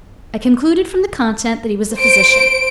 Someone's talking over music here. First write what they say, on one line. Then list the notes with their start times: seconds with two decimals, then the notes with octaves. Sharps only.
I concluded from the content that he was a physician.
1.96 C5 D7